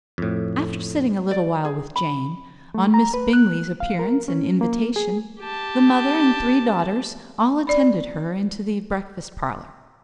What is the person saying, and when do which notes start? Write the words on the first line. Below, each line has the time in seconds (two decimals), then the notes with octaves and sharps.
After sitting a little while with Jane, on Miss Bingley's appearance and invitation, the mother and three daughters all attended her into the breakfast parlour.
0.18 F2 A2
1.31 D5
1.65 G#4
1.96 B5
2.74 A3
2.94 A#5
3.14 B4
3.33 F#6
3.80 F5
3.99 A#4
4.28 C#4
4.61 A#3
4.96 G#4
5.40 G4 A5
7.67 D5 B5